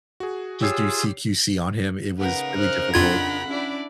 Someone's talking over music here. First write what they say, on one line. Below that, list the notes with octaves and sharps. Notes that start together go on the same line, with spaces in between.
just do CQC on him, it was really difficult.
F#4 G#4
F4 G4 G#4 C#5 E6 C7
C#3 D#4 A#4 B4 F#5
C5 F6 F#6
F2 D4 F4 F#5 B5 G#6
C#4 D4 E4 D5